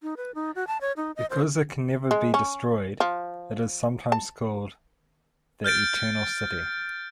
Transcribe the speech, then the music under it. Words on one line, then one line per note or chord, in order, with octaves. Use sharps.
Because it can never be destroyed, it is sometimes called "The Eternal City".
D#4
B4
D#4
F#4
A5
C#5
D#4
D#5
C5
G#3
C#4
F3
A5
F6 G6 A6 D7